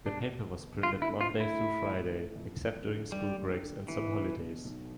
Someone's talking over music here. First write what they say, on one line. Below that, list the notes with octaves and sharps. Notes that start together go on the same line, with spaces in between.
The paper was printed Monday through Friday, except during school breaks and some holidays.
B2 D4
B2
B2
D3 F4
E4
A3
F4
A3
E4
A2
A1
A1
F2
G1
D3
G2 G3
G3
D3
B2 E3
B3
B2
B1